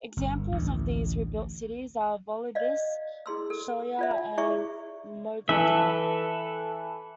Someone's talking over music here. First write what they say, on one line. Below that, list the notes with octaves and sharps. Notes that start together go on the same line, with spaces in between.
Examples of these rebuilt cities are Volubilis, Chellah and Mogador.
G1
A1 D2
D5 D#5 F5
E4 G#4 C6 E6
A4
F4 D5 E5
E4 G#4 D5 E5 C#6
E3 A4 B4 E5